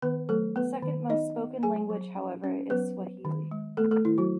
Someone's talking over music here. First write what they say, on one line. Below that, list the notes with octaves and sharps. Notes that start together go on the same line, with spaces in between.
The second most-spoken language however is Swahili.
D#3 B3 B4
F#3 A3 A4
B3 B4
D#3
B3 D#4 D#5
B3
F#3 G#4 G#5
F#3
C#4
C#4
F#3 B3 B4
F#3
D#3
G#3
A3 B3 A4
A3 A4
D#3 E4
F#3 F#4